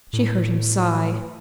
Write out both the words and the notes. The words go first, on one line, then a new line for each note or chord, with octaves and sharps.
She heard him sigh.
A2